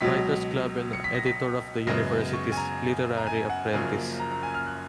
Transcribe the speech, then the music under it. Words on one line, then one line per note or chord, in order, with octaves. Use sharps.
Writer's Club and editor of the university's "Literary Apprentice".
C#2 B2 F#3 B6
C#7
B6
A#6
B6
F#2 C#3 G#3 B3 A#6
C#6
G#5
A#5
A#5
G#5
F#5
F#1 F#2 C#3 F3 A#3 G#5
A#5
A#5
G#5
F6
F#6